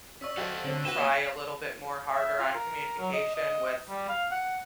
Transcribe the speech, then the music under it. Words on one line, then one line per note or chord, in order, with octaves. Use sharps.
try a little bit more harder on communication with
C#4 D5 C#6 E6 B6
F#4 G4 A4 C5 F5
D3 A3 C4 C#4
F#4 G4 B4 A#6 E7 G7
A#3 C#5
E5
F4
A#4
F#3
D#5
D#5
G3
F5
F#5